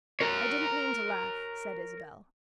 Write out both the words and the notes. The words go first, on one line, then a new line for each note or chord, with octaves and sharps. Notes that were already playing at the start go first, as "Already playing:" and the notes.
"I didn't mean to laugh," said Isabel.
A#4 C#5